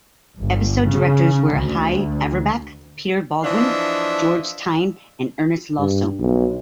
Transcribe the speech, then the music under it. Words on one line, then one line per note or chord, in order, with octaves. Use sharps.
Episode directors were Hy Averback, Peter Baldwin, George Tyne, and Ernest Losso.
G1
C#3
D2
E3 F3 D4 D#5 E5
G2
B1